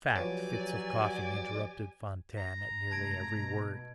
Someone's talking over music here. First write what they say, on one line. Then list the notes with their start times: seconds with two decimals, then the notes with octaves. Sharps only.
In fact, fits of coughing interrupted Fantine at nearly every word.
0.16 F3 F#3 G4 B4 C#5 D5 G#5
2.37 A#5
2.91 F1 G#2 A5 G#6 D7
3.35 B2